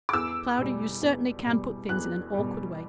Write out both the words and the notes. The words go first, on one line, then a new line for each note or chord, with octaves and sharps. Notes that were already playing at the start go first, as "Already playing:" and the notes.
Cloudy, you certainly can put things in an awkward way.
D6
E2 E6
B2 G3
E2
B2 G3
E2 F#6
B2 G3